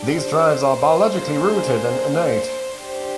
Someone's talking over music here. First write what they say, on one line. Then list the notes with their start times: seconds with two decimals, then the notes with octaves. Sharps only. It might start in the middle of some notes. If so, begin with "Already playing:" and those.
These drives are biologically rooted and innate.
Already playing: D4 G4
0.11 C5
0.99 A#3 D4 G#4
2.75 D4 G4